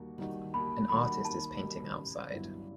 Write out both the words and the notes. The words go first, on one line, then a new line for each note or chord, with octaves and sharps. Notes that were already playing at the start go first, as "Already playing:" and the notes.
An artist is painting outside.
Already playing: D#2 D#3 G3 D#4 F#4
D#3 G3 D#4 F#4
D#2 B5
D#3 G3 D#4 F#4 B5
D#2 A5
D#3 G3 D#4 F#4
A1
G2 F#3 B3 E4